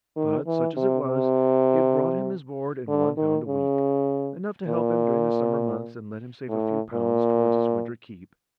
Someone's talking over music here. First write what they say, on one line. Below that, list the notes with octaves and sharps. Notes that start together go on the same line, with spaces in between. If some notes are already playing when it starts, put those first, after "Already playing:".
But, such as it was, it brought him his board and One pound a week--enough to help him during the summer months and let him save a few pounds towards his winter keep.
D#3
E3
C3
C3
D3
D#3
C#3
A#2
A2
A#2